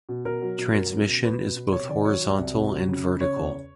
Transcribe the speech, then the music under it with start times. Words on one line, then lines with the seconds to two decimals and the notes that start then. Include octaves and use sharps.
Transmission is both horizontal and vertical.
0.09 B2
0.25 B2 A#4
0.42 F#3
0.58 B2
0.74 F#3 A#4
0.91 C#2
1.07 B2
1.23 F#3 B4
1.40 B2
1.56 B2
1.72 C3 C#5
1.89 D#3 D5
2.05 F#3 C#5
2.21 F#3
2.38 C2
2.54 C3
2.71 F#3
2.87 C#3
3.04 C#3
3.20 C#3 C#5
3.36 E2